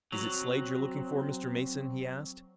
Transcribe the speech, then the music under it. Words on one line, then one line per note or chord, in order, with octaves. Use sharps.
"Is it Slade you're looking for, Mr. Mason?" he asked.
F#3 C4